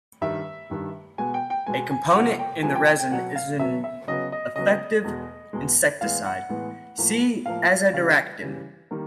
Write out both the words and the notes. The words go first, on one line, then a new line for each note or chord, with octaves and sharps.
A component in the resin is an effective insecticide; see azadirachtin.
G2 D#3 G3 E5
G2 D#3 G3
B2 G#3 B3 G#5
G5
G5
B2 G#3 B3 G#5
G#5
C3 F3 G#3 B3 F#5
G5
C3 F3 G#3 B3 G#5
G5
G5
G5
B2 F#3 B3 F#5
F5
B2 F#3 B3 E5
E5
C#3 F#3 B3 D#5
D#5
C#3 F#3 B3 D#5
E2 B2 G#3
E2 B2 G#3
A2 E3 G#3 B3 F5
F#5
A2 E3 G#3 B3
A2 F3 A#3
A2 F3 A#3 F5
C#3 E3 G3 F5
C#3 E3 G3
D#3 G3 A#3